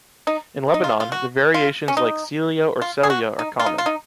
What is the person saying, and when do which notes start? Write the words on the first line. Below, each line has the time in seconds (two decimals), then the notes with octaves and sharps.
In Lebanon, the variations like Célia or Célya are common.
0.27 D#4
0.74 D#4
0.84 F4
1.00 F4
1.12 F#4
1.54 F4
1.88 C#4
1.97 D#4
2.81 F4
3.03 G#4
3.10 F#4
3.39 D#4
3.60 F4
3.66 D#4
3.78 F4
3.86 D#4